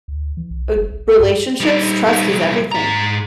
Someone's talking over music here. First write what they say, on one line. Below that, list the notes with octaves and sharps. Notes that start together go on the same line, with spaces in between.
r relationships, trust is everything.
D2
E3
B1
F#1
A#1
G2
G3 D#4
G3 D#4
C2 F#3
G#2 A#5